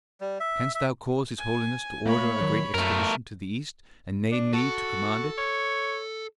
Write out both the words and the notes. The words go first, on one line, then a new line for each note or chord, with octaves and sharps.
Canst thou cause his holiness to order a great expedition to the East and name me to command it?
G3
E5
E5
G#5
A3 A#3 C#5 B5
D#3 F#3
F#2 A3 A#4
D4
F#4 A4
C#5